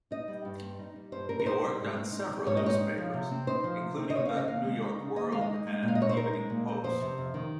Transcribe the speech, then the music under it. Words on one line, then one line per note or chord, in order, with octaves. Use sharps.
He worked on several newspapers, including the "New York World" and "Evening Post".
D#4 D#5
G3
G2
C4
D#4
G3
G2 C5
C4 A#4
A#4
D#4 C5
G3
G#2
C4
D#4
G3
G#2 C#5
D#5
C4 C#5
D#4
F3
C3
C4
D#4 C5
F3
C3
C4
D#5
D#4 C#5
F5
C#3
D#5
D#2 F5
G#3
D#4
C#3
D#2 D#5
G#3 F5
D#5
D#4
G#3
A#2
F5
D#5
C4 C#5
C5
D#4 A#4
G#3
A#2
C4
F2 C5
C3
F2
D#3